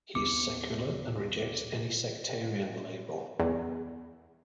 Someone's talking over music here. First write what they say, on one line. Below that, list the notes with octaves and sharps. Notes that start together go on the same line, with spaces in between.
He is secular and rejects any sectarian label.
D#2 B3 D6 C#7
E2